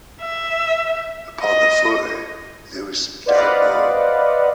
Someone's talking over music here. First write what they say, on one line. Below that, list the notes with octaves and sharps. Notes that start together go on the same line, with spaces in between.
Upon the floor there was some dark mould.
E5
D#5
B4 C5 D5 D#5 F5 F#5